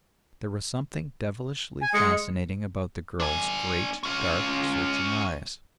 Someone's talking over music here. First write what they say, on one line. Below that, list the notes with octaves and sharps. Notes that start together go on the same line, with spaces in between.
There was something devilishly fascinating about the girl's great, dark, searching eyes.
G#5
G#3 C#7
D4 G#5
C#4 F4